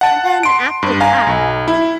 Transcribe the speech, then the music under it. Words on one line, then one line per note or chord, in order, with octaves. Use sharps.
And then, after that
F#5 A5
C6 D7
G2
F5 G#5 A#5
B1
E4